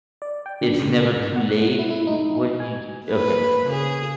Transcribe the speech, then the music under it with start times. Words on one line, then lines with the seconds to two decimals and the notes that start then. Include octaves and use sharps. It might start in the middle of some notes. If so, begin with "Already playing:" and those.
"It's never too late?" W what did y okay.
0.22 D5
0.46 G5
0.61 D3
0.78 C#3
1.20 G#2
1.36 F#5
1.49 F#6
1.79 E4
1.90 E4
2.07 D#4
2.60 G#5
3.06 A#3 B4
3.66 C#3 G#4